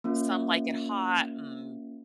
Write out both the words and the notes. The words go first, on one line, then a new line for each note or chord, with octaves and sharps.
Some Like It Hot, and
A#3 C#4 F4